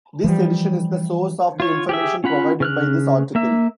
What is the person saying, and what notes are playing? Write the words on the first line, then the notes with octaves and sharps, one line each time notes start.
This edition is the source of the information provided by this article.
E3 F3 G3
F4 C#5
G4 G#4 E5
C#4 F4 F#5 B5
C#3 F6 F#6
A#3 E5